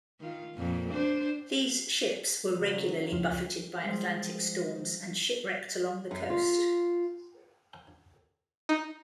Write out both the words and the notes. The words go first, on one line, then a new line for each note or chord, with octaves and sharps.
These ships were regularly buffeted by Atlantic storms and shipwrecked along the coast.
D#3 F4
F2 A#2
D4 C5
C#3 F#3
D2 F3
F3 G3 G#3
F#2
F4
D#4